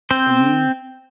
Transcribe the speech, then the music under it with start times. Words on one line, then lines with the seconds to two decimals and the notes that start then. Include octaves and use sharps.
for me,
0.11 C4 C5